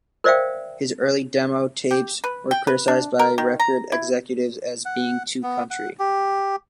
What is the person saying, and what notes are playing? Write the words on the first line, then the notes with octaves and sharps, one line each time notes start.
His early demo tapes were criticized by record executives as being too country.
A#4 C5 D5 E5 F5 G5
G4
B4
G5
B4
D4
A#4
D#3
A#5
E4
F#5
B3
F#5
G4